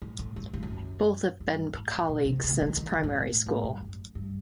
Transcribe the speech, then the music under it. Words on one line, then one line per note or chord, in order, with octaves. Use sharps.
Both has been colleagues since primary school.
A2
A2
G2
G2
F#2
G2
A2
B2
C3
C#3
D#3
D#3
D3
G#2
A2
A2
G2
F#2
G2